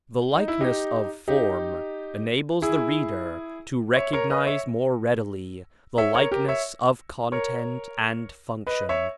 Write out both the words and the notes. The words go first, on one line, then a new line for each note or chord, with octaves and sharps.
The likeness of form enables the reader to recognize more readily the likeness of content and function.
D#4
E4
D#4 G4
D#4 G4
E4 G#4
C#5 E5
A#4 C#5
B4 D#5
C#5 E5
C#5 E5
A#4 C#5
G4 A#4
C#5 E5
A#4 C#5
B4 D#5
C#5 E5